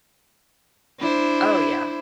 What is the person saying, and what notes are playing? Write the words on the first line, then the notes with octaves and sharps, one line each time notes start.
Oh, yeah.
D4 E4 C5